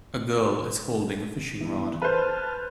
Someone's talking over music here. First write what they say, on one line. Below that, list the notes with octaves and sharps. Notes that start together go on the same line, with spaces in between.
A girl is holding a fishing rod.
E3 B3 E4
B4 C5 A5 F6